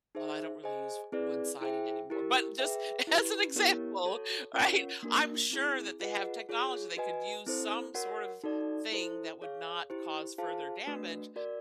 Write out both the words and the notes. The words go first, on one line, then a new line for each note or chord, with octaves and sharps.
well, I don't really use f wood siding anymore, but just as an example, right, I'm sure that they have technology they could use some sort of thing that would not cause further damage,
D#4 G#4 C5 E5
G#4 C5 D#5 G#5
C4 E4 G#4 B4 D5
E4 G#4 C5 E5 G5
E4 G4 A#4
G#4 B4 E5 G5
E4 G4 B4
B3 E4 G4 A#4 C#5
F#4 A4 C#5
C#4 F4 A#4 C#5 F#5
A#3 D4 F#4 A#4
C4 E4 G#4
F4 G#4 B4 D#5 F#5
F4 G#4 C#5
F#4 B4 D#5 G#5
C4 E4 A4 C5
F#4 A#4 C#5 F#5
D#4 F#4 A4 D5
E4 A4 C5
G#4 C#5 F5
E4 G4 C5
F4 G#4 C5 F5 A5
A3 D4 F#4 B4
F#4 A#4 D5